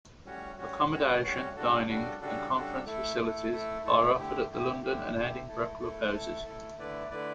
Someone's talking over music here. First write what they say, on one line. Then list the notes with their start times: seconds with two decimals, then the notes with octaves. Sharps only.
Accommodation, dining and conference facilities are offered at the London and Edinburgh clubhouses.
0.25 A2 G3 C#4 F#4 C#5
0.58 A2 G3 C#4 F#4 C#5
0.90 A2 G3 C#4 F#4 C#5
1.23 A2 G3 C#4 F#4 C#5
1.56 C#3 G3 D4 F#4 A4
1.88 C#3 G3 D4 F#4 A4
2.21 C#3 G3 D4 F#4 A4
2.54 C#3 G3 D4 F#4 A4
2.86 A3 E4 A4
3.19 A3 E4 A4
3.52 A3 E4 A4
3.85 A3 E4 A4
4.16 D3 A3 E4 G4
4.50 D3 A3 E4 G4
4.82 D3 A3 E4 G4
5.15 D3 A3 E4 G4
5.48 A3 E4 A4
5.80 A3 E4 A4
6.12 A3 E4 A4
6.45 A3 E4 A4
6.77 D3 A3 E4 B4 D5
7.11 D3 A3 E4 B4 D5